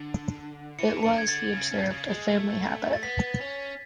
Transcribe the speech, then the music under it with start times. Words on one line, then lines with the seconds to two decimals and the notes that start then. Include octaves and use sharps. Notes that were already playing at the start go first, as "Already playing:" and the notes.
It was, he observed, a family habit.
Already playing: D3
0.79 E3 C#7
1.03 D3 C#7
1.18 G#6
1.28 D3 A6
1.53 C#3
1.72 C#3
1.91 C#3
2.10 G#3
2.28 A3
2.93 A6
3.03 B3 B6
3.41 C#4